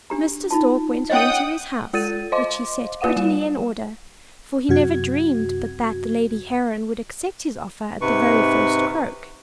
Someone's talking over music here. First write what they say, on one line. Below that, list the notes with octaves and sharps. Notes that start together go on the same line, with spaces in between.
Mr. Stork went home to his house, which he set prettily in order: for he never dreamed but that the lady Heron would accept his offer at the very first croak.
D4 G4 A#5
D#4 F4 A5
C#4 C#5 D#5 F#5 G5 D#6
G#3 F4 A4 A6 D#7
C5 D#5 F5 C6 D6
A#3 F4 B4 F5 F#5 D#7
G3 E7
F#2 C3 F#4 G#6
G#2 C3 B4 C#6